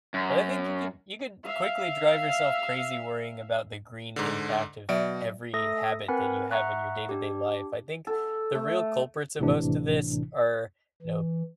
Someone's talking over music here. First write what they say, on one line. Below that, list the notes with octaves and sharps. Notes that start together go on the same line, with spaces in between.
But I think you can you could quickly drive yourself crazy worrying about the green impact of every habit that you have in your day to day life. I think the real culprits of most of this are, know,
F#2
E5 F5
G#2 D3
B2 F#3 D5 E5
A3 A4 E5 D#6 A#6
C4 A#4 B4 F#5 G#5 B5
E5 F#5 A#5 C#6 F#6
D4 G4
A4
A3
G#1 A2 C3 E3 D4
E3